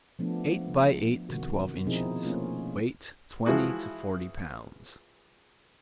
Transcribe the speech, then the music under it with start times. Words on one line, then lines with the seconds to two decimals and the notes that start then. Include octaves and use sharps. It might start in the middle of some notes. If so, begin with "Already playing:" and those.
Eight by eight to twelve inches, weight twenty to forty pounds.
0.19 F3 A3 B3 D4
1.29 C3 D#3 F#4
1.86 B2 F3 C4 D#4 E4 G#4
2.24 A3 A#3 C#4 F4
3.45 E3 F3 G#3 E4 F#4 G#4